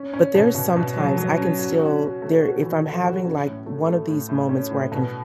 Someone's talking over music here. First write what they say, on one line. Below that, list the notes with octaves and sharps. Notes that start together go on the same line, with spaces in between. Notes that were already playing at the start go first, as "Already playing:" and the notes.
but there's some times I can still there if I'm having, like, one of these moments where I can f
Already playing: C#4
C#4
B2
B2
B2
F#3
F#3
C#4
F#4
F#4
F#4
A3
F#4
E3
A4
F#4
C#4
A2
A3
A3
A2
A2
C#4
A2
B2